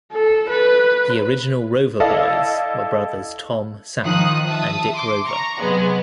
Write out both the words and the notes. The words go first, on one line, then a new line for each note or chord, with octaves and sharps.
The original Rover Boys were brothers Tom, Sam, and Dick Rover.
A4
B4
E4 A4 D5 D#5 F5
D#3 F3 D#4 D#6 F#6
E5 A5 D#6
C6 D6
A#5 C#6
C3 F#3 G#3 B3